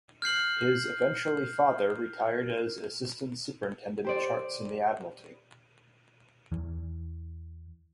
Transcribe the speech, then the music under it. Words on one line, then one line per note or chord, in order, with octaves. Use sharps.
His eventually father retired as Assistant Superintendent Charts in the Admiralty.
F6 G6 C7 F#7
G4 C5 D5
E2 E3